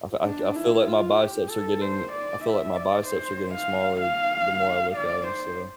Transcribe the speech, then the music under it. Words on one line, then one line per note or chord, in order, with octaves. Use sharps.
Also, I c I feel like my biceps are getting I feel like my biceps are getting smaller the more I look at 'em, so
D4
E4
F4
G4
A4
C5
D5
E5
D5
C5
F5
F5
D5
C5